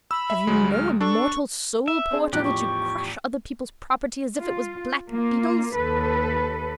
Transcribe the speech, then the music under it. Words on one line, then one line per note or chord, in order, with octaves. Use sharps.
Have you no immortal soul, porter, that you crush other people's property as if it was blackbeetles?
B5 E6
E5
D2 F#3 G#3
F6
D4 A4 C#6
E5
C4 D4 G#4
A1 E2 F3 G4 F#6
C#6
F4
A#3 F4
D#2 A4 B4